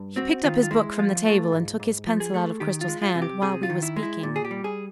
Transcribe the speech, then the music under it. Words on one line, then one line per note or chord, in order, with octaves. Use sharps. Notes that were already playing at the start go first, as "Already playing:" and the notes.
He picked up his book from the table, and took his pencil out of Cristel's hand, while we were speaking.
Already playing: G2
C4 F#4
D#3 F4
F4
G#3 E4
F3 F4
A3
G#2
G#2
F3
G#4
A3
D#3 G4
F4
G#3
F4
C3
G4
C3 G#4
F4
D#3
E4
G#3
E4
A#2
G#4
G4
G3
G#4